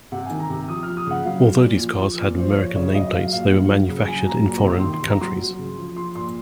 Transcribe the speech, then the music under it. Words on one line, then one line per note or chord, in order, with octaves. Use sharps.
Although these cars had American nameplates, they were manufactured in foreign countries.
C3 F#5
D#3 G#5
A#5
C3
F3 D#6
F3 F6
D#6
C#3 F#5
F#3 F5
F#3
A#2
F3
F3
A#2
F3 C5
F3 C#5
C#3 C#5
F#3 D#5
F#3 F5
A#2 F5
F#3
F#3
C#3
F#3 G#5
F#3 A#5
A#2 A#5
C3
D#3 C6
C6
C3 A#5
F#3 C6
F#3
C#3
F3
F3 C6
A#2 C6